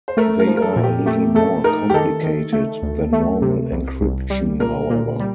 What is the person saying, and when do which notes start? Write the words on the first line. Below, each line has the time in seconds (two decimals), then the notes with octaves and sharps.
They are a little more complicated than normal encryption however.
0.08 C5
0.17 A3 A#4
0.40 A#4
0.47 F3
0.57 A#4
0.62 A4
0.73 A#2 A4
0.83 G4
1.06 A3 G4
1.35 A3 A4
1.64 D#4 A#4
1.90 G4
1.94 D#3 A4
2.23 D#3
2.53 A3
2.82 D2
3.12 A3
3.42 C3
3.71 C2
4.01 C2
4.30 G3
4.60 A#2 A#4
4.90 A#2
5.19 G3